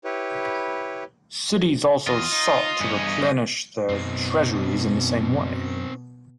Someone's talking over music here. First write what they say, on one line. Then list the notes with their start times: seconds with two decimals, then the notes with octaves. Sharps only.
Cities also sought to replenish their treasuries in the same way.
0.04 E4 G4 B4 C#5
2.07 E2 F4 D#5 D#6
2.32 D#4
2.81 E2 G2 C#4
3.89 F#2 B2 C4 D#4